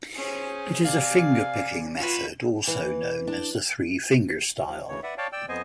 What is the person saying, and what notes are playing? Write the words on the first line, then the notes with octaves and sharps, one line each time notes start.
It is a fingerpicking method, also known as three-finger style.
C#4 G#4 C5
C3 D5 F5 G#5
F4 F#4 B4
E3
D4
D#2 F3
D2 C#3 E3 C#5
B4 D5 E5 F#5
C#5 D5 F5 G5 A5
D5 G5 E6
F2 B3 C5 D#5 G#5